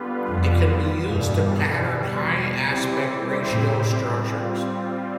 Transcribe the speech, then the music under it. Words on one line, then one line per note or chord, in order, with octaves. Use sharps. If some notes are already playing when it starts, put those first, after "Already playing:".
It can be used to pattern high aspect ratio structures.
Already playing: D3 G3 B3 F4 B4
F2
E2 G2 B2 G3
G3 C4 E4 G4 C5
A2
G3 C4 F4